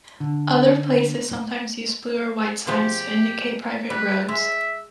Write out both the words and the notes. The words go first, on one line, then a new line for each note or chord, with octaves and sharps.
Other places sometimes use blue or white signs to indicate private roads.
D3
B2 F3 G#3 G4
G3 B4
G#3 E5